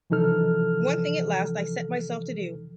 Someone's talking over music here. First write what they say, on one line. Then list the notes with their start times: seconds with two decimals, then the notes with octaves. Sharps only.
One thing at last I set myself to do.
0.10 C3 E3 F3 D#4 A4 F6